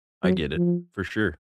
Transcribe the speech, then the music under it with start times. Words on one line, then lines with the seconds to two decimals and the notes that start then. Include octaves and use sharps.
I get it, for sure.
0.24 F#3
0.56 F3